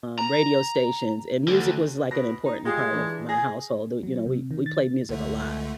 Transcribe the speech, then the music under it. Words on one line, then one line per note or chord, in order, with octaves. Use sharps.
um, radio stations, and music was, like, an important part of my household, do you know, we we played music a lot.
A#5
D3 F#4
B2 A#6
D#4
G#3 F4 G4 G#4
E3 D4
G#4 A#6
F#3
C3
D#3
A6
C#2 D3 A3